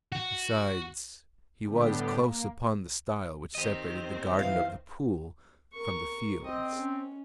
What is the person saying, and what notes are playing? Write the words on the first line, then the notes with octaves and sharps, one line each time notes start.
Besides, he was close upon the stile which separated the garden of The Pool from the fields.
F#4
A2 D3 G3 B3 D4 G4
A#3
D#3 C4 G4 C5 D#5
E3 F5
A#4 C#6
C4 D#5
C#4